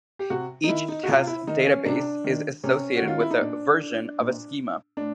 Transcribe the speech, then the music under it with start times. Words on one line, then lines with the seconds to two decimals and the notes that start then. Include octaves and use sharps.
Each Test Database is associated with a "version" of a Schema.
0.19 G4
0.30 C3 F#4
0.64 D#4
0.69 D#3 E4
0.88 D#4
1.03 F#4
1.08 C3 F4
1.27 E4
1.47 D#3 D#4
1.67 C#4
1.85 C3 D4
2.24 D#3
2.64 C3 C#4
2.97 F#4
3.02 D#3
3.07 F4
3.20 E4
3.31 D#4
3.41 A#2 D4
4.20 A#2
4.97 A2 D4